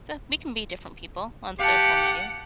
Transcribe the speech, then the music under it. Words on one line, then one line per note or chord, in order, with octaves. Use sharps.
So we can be different people on social media,
G4 F5 F#5 A5